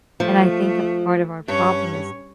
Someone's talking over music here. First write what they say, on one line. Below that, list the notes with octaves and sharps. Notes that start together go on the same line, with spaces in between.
and I think a part of our problem is
F3 A3
G2 C#4 C#5